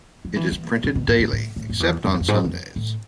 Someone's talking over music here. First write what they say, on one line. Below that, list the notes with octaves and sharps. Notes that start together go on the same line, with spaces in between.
It is printed daily, except on Sundays.
F3
E3
E3
B2
B2
A2
A2
A2
A2
F2
E2
F2
E2
F2
G#2
F2
A2